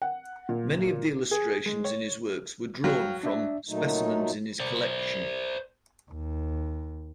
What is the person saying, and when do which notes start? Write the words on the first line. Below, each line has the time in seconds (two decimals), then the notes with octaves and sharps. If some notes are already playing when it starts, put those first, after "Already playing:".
Many of the illustrations in his works were drawn from specimens in his collection.
0.02 F#5
0.49 A#2
1.31 G#4
1.66 G#3
1.85 C#5
2.84 F#3 F5 G5 F6
3.23 D4 D5 E5
3.69 A#2 F#3 A3 D#4
4.60 C5 D5
6.11 D#2